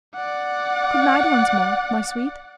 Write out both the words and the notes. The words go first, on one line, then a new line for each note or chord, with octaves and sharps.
Good-night once more, my sweet.'
D5 F#5